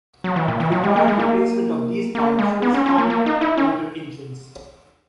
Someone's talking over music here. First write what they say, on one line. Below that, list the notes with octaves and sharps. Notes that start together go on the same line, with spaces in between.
Required replacement of these parts is common in older engines.
F#3
E3
A#2
E3
F#3
G#3
A#3
G#3
A#3
A#3
G#3
B3
C#4
C#4
A#3
A#3
D#4
E4
C#4